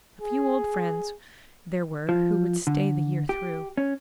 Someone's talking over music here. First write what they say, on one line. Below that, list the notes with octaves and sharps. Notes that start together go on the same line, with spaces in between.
A few old friends there were who would stay the year through.
G#4
F3
D3
G4
C#4